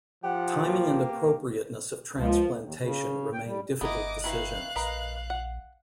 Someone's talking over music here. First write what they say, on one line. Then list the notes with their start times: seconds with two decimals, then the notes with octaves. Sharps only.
Timing and appropriateness of transplantation remain difficult decisions.
0.24 F3 G4 F#5
0.64 A#3
2.18 C#2 F3
2.58 D#2
2.81 C#3
3.33 G5
3.46 G3
3.81 G1 B3 D#4 E4 D#5 D6
4.24 D#3 E4 B4 F5 F#6
4.76 A#1 A#4 B4 D#5
5.30 F#5